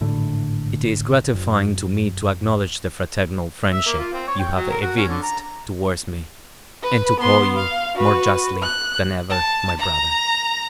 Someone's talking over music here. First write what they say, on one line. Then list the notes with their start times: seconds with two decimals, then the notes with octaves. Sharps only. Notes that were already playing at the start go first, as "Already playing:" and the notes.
It is gratifying to me to acknowledge the fraternal friendship you have evinced towards me, and to call you, more justly than ever, my brother.
0.01 G#1 A2 D3
1.34 F#1
3.72 E5
3.86 A#3
3.99 F4
4.13 C4
4.27 C#5
4.39 G5
4.56 F#3
4.70 A#4
4.82 F#4
4.97 C#4
5.09 D3
5.23 A#5
6.83 B4
7.20 B3 C6
7.56 F5
7.96 F#4 B4
8.63 F#6
9.29 A5
9.79 A#5